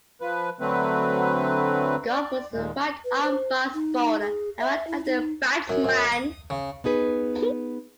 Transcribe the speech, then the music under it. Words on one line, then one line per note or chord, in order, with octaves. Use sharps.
Gough was a right arm fast bowler and right-handed batsman.
F3 B4
D3 F#3 A3 C4 B4
D5
D#2 A#2 G#3
B4
C5
D#4
G#4
E5
E4
D#4
F#2
F#2
D#6
C#3
B3 D#4 G#4 B4